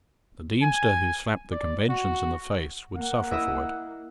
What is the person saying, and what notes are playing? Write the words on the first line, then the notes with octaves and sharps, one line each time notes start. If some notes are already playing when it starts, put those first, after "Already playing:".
The Deemster who slapped the conventions in the face would suffer for it.
G#5
D5
F#4
A#3 F#5
E4 D#5 E5